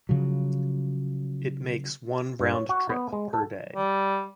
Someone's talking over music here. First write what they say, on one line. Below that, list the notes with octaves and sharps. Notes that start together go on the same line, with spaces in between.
It makes one round trip per day.
C#3 F3 F#3
G2
C#5
F#4
B3
G#3
A4
G3